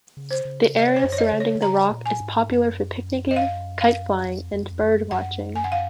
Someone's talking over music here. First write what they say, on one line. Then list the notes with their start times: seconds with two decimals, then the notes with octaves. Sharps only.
The area surrounding the rock is popular for picnicking, kite-flying, and bird-watching.
0.17 C#3
0.31 C5
0.45 C#3
0.75 C3 D#5
0.88 C#5
0.96 C5
1.04 F#2
1.12 C#5
1.18 D#5
1.32 C#3
1.40 C#5
1.56 D#3
1.61 C#3 A#5
1.91 A#2
2.06 G#5
2.21 G#2
2.49 F#2
3.31 D#5
3.36 F5
3.81 F5
4.24 F2
4.53 F2
4.62 F#2
4.71 F2
4.83 F#2
5.11 F#2 F#5
5.56 G#5
5.64 F#5
5.72 F5